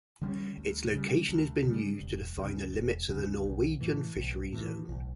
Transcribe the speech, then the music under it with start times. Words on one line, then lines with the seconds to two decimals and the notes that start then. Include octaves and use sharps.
Its location has been used to define the limits of the Norwegian fishery zone.
0.21 D3 G3 C#4
0.58 D2
0.93 C#3 G3
1.29 D2
1.65 C#3 G3
2.01 E1
2.37 D2 C#3
2.73 E1
3.09 D2 C#3
3.45 B1
3.81 A2 E3
4.16 B1
4.53 A2 E3
4.89 B1